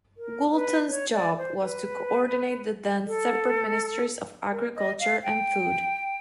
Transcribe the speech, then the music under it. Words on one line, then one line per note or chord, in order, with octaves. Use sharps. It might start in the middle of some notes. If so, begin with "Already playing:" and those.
Woolton's job was to co-ordinate the then separate ministries of agriculture and food.
A#4
B4
C#5
D5
C5
B4
A4
A#4
D#5
F5
G5